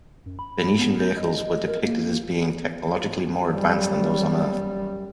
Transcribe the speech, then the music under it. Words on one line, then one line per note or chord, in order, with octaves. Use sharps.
Venusian vehicles were depicted as being technologically more advanced than those of Earth.
F#2
B5
B3
G6
D#5
A#4
A#3
F#2 G3